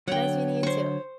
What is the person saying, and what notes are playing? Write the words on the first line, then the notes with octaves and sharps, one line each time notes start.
Nice meeting you too.
D3 F#3 C#5 F#5 G5
C5 C#6